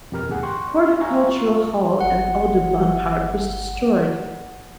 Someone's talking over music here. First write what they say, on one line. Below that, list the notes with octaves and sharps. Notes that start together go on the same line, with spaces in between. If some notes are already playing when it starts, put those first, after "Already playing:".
Horticultural Hall in Audubon Park was destroyed.
F2 B2 G4 A#4 F6
D#2 G#2 G#4 F#5
G4 G5 C6 C#6 F#6
E5 F5 G#5 A#5 C#6
F4 C#6
G1 F#5